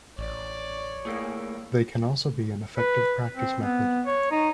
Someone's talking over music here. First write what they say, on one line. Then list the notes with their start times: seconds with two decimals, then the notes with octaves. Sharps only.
They can also be an effective practice method.
0.18 A1 C#5 D5
1.05 A2 A3 A#3 G#4
2.77 B4
3.34 C4
3.61 B3
4.06 C#5
4.31 D#4